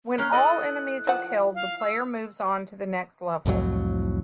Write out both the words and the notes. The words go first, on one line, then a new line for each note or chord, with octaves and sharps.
When all enemies are killed, the player moves on to the next level.
A#3 C#4 A#4 F#6
E4 A4 D#5
F3 F#5
F5
E6
C2 F2 A2 F#3